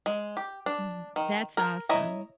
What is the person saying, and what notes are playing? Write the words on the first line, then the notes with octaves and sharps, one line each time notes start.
Mhm, that's awesome.
G#3
G4
D4
D#3
A#4
E4 C#5 D#5 E5 A#5